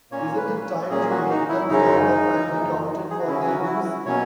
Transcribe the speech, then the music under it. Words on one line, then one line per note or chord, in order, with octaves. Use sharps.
Isn't it time to make them stand up and be counted for their views?
A#2 A#3 C#4 C#5
B4
A#2 A#3 C#4 G#4
F#4
D#4
E4
F#2 C#3 G#3 C#4 D#4
F#2 C#3 E3 A#3
G#4
F#4
C#3 F#3 C#4 E4
F#4
F#4
E4
B2 F#3 A#3 C#4 C#5